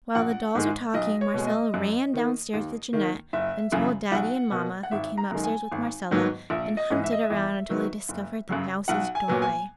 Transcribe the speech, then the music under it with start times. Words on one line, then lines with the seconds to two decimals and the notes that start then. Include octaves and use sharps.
While the dolls were talking, Marcella ran down-stairs with Jeanette and told Daddy and Mamma, who came up-stairs with Marcella and hunted around until they discovered the mouse's doorway.
0.15 A#1 F#5
0.55 G#2 D#3 G#3
0.94 B1 D#5
1.21 C#5
1.34 B2 G#3
1.47 D#5
1.74 F#2
2.14 D#3 A#3
2.53 D#2
2.93 D#3 A#3
3.33 F#1 E5
3.72 F#2 C#3 E3
4.12 B1 F#5
4.51 B2 A#3
4.83 F#5
4.91 G#1 E5
5.17 A#5
5.32 F#2 D#3 G#3
5.44 G#5
5.71 G#1
6.11 G#2 D#3 F#3 B3
6.50 A#1 E5
6.77 D#5
6.90 G#2 E3
7.04 E5
7.13 D#5
7.23 E5
7.30 E2
7.69 D#3 F#3 B3
8.09 F#1
8.49 F#2 C#3 F#3
8.88 B1 F#5
9.15 G#5
9.28 A#2 F#3 B3
9.42 G#5